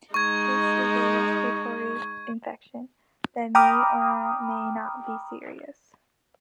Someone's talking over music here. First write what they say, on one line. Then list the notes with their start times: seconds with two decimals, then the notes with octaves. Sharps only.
This is a respiratory infection that may or may not be serious.
0.14 G#3 D#4 C#6 G#6
3.55 G5 A#5 B5 D6 D#6 F6